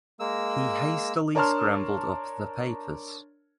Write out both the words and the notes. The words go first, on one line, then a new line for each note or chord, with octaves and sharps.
He hastily scrambled up the papers.
G#3 A#3 E6
D4 A#4 C#5 A5 C6 F6